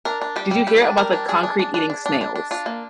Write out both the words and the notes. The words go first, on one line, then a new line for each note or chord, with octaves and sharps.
did you hear about the concrete eating snails?
D4 A#4
D4
G3 G4
G3
G3 G4
D4
G3 A#4
D4
D4 G#4
D4
D4
D4
D4
D4
D4
D4
D4 F4
A#3